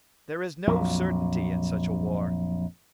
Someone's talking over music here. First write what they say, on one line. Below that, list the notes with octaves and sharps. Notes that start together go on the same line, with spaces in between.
There is no certainty in such a war.
A#1 F2 F#3